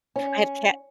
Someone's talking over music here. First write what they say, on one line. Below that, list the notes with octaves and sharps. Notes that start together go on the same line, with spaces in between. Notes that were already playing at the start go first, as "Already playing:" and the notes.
I have ke
C#4